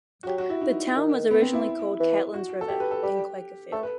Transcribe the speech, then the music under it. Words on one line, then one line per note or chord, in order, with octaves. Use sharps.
The town was originally called "Catlins River", then "Quakerfield".
F#4
F#3 G4
F#4
E4
D#4
D#3
B3
C4
E4
E3
F#4
A4
G4
B4
A4
G3 G4
A3 A4
B4